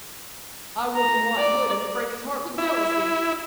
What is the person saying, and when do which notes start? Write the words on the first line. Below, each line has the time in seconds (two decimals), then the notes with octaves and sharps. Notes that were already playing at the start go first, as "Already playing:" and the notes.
I wouldn't want William to break his heart with jealousy.
0.95 A#5
1.37 D5
2.58 E4